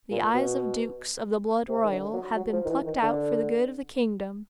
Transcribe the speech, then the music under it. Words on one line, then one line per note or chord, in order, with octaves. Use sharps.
The eyes of dukes of the blood royal have been plucked out for the good of the kingdom.
A#2
B2
C3
D#3
D3
F#3
F#3
F3
D#3
E3
D#3
D3